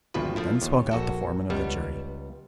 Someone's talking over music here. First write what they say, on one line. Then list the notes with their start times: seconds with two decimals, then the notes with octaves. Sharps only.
Then spoke out the foreman of the jury.
0.14 G#1 D2 B2 F3 B4
0.36 F3 A3 E4
0.62 D#2
0.91 A#1 F#4 A4
1.50 C#2 G3 B3